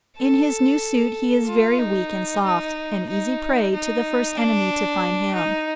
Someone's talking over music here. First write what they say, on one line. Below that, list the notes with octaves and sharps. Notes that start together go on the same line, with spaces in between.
In his new suit he is very weak and soft--an easy prey to the first enemy to find him.
A4
F4
D#4
D#4
D#4
D#4
D4
D#4